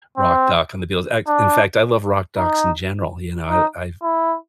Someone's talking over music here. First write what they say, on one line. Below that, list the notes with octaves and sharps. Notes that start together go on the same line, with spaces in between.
rock doc on the Beatles a in fact I love rock docs in general, you know? I I've I
C4
D4
D#4
D#4
E4